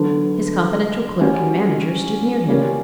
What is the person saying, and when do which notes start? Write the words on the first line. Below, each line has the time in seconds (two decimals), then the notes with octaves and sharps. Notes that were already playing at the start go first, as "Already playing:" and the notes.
His confidential clerk and manager stood near him.
Already playing: D3 F#3 B3
1.21 G3 C#4 F#4
2.49 G3 A#3 C#4